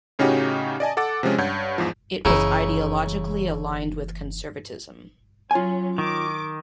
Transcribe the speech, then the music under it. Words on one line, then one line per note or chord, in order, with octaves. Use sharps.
It was ideologically aligned with conservatism.
A2 C#3 C#4 D#4 F#4 G4
D5 D#5 G#5 A5
A4 F#5 D6 A6
C3 F3 G#3 C#4
G2 C#5 F#5 G6 G#6
E2 G#2 F3
F#1 C#3 E3 D#4 E4
F#3 C#4 F4 G#5
D#3 D6